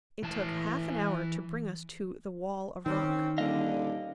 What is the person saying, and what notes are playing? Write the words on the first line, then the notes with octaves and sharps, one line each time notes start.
It took half an hour to bring us to the wall of rock.
E3 A5
D#3 C4 C#4
D#1 D3 D#5 F5